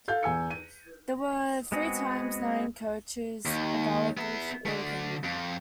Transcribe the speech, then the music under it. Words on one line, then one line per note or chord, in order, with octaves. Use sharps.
There were three times nine "couches" available for all of them.
A4 F5 G6
E2 G#5 E6 C#7
D#7
G#3 B3 C4 F#4 G#4
D#2
B3 E5
D3 A3
F2